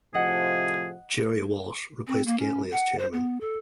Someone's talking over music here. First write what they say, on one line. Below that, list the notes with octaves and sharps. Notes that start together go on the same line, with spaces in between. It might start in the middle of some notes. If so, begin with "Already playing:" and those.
Gerry Walsh replaced Gantly as chairman.
A2 C3 F3 G#4 D#5 F#5
C4
A#3
C#4
F#5
C5
B3
A4